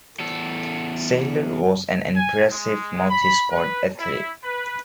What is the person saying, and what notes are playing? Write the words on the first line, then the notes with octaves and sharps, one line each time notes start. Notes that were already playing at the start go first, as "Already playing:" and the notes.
Seiler was an impressive multi sport athlete.
E2 A4
G#5
G#3
B5
B4
E4
B4